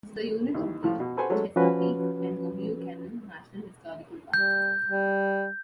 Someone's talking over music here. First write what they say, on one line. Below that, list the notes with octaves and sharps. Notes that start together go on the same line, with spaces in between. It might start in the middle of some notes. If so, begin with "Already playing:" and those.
This is a unit of the Chesapeake and Ohio Canal National Historical Park.
D#2 E3
A2 F3 F4
B2
F#4 A4 B4 C5 F#5 G#5
F#3 G#3 A3 C#4 A4
F3 C#4 F#4 B4
G3 G6
G3